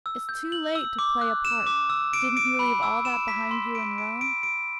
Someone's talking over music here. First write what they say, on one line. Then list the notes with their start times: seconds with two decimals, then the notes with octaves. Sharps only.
It's too late to play a part; didn't you leave all that behind you in Rome?
0.06 E6
0.29 G6
0.52 F#7
0.75 E6
0.99 D6
1.21 F#6
1.45 E7
1.67 D6
1.90 E6
2.13 D7
2.37 D7
2.59 B5
2.83 E6
3.05 E7
3.28 B6
3.51 C6
3.75 D7
3.98 D7
4.21 D7
4.43 D7